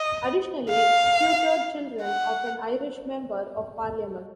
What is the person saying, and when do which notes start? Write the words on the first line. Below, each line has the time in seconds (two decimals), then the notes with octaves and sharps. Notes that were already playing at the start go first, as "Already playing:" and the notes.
Additionally tutored children of an Irish member of parliament.
Already playing: D#5
0.70 F5
2.03 F#5